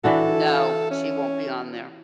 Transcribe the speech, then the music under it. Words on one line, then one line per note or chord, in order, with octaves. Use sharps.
No. She won't be on there.
E3 D4 F#4 A4
C#4